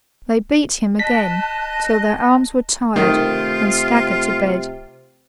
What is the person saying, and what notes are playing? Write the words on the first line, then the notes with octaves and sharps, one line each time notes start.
They beat him again, till their arms were tired, and staggered to bed.
D#5 A5 F#6 B6
C3 D#3 A3 F4